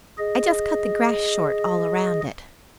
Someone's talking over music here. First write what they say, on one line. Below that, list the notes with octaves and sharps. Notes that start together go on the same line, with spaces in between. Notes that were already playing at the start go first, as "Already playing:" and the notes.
I just cut the grass short all around it.
G#4 D#5